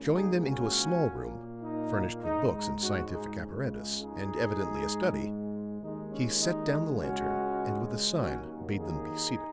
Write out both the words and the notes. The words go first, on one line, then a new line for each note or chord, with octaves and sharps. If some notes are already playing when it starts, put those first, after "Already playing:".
Showing them into a small room furnished with books and scientific apparatus and evidently a study, he set down the lantern and with a sign bade them be seated.
Already playing: C#2 C#3 A#3
D#4 G#4
C#4 F#4
A#2 A#3
D#4
G#2 G#3 D#4
D#4
C#4 F#4
D#4 G#4
C#2 C#3 G#3
D#4 G#4
G#2 G#3
D#2 D#3 G#3 D#4
C#4
D#4
C#2 C#3 G#3 C#4 F#4
D#2 D#3 F#3 A#3 C#4 F#4
D#4 G#4